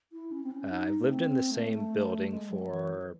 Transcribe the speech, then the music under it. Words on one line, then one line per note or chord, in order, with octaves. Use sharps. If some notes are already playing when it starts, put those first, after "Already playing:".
Uh, I've lived in the same building for
E4
C#4
C4
C#4
D#4
A3
C4
A3
G#3
F#3
E3